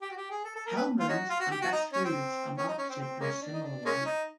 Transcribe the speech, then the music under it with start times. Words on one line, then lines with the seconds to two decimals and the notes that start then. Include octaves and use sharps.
Hellmann's and Best Foods are marketed in a similar way.
0.02 G4
0.11 F#4
0.17 G4
0.30 G#4
0.44 A4
0.56 A4
0.66 A#4
0.76 B4
1.00 F4
1.09 C#4 D#4 F#4
1.30 F4
1.40 F#4
1.51 G4
1.61 F#4
1.72 D#4
1.93 C#4
2.04 C4
2.57 C#4
2.68 D#4
2.78 C#4
2.89 C4
3.00 C4
3.20 G#3 A#3 C#4
3.42 D4
3.53 D#4
3.63 D4
3.85 G#3 A#3 C#4
4.05 D#4